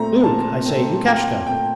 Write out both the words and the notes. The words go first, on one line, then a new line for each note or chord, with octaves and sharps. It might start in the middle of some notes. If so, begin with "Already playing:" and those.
'Luke, I say, Lukashka!
Already playing: A#2 A3 C4 A#5
A#2 A5
A3 C4
A#2 G5
A3 C4 G5